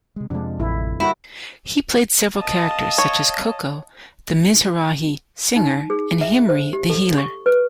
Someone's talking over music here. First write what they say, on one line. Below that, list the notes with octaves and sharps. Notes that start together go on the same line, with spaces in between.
He played several characters such as Coco the Mizrahi singer, and Himri the healer.
C3 G#3
F2 C3 F3 G#3 D4
A1 D3 E4
G3 A#3 E4 F#4
D#5 F5 A5
C#5
D#4
G#4
E5
C5
G4
A4
C#6
B4